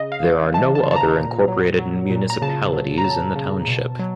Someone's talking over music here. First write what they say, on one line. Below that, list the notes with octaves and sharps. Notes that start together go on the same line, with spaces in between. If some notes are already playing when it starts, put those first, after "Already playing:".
There are no other incorporated municipalities in the township.
Already playing: C#3 D#5
F5
E3
E3 A5
A5
C#3
A5
A#5
A#2
F#3
F#3
A#2
A#5
C#3 A5
F#3
A#5
F#3 A5
C#3
B2
F#3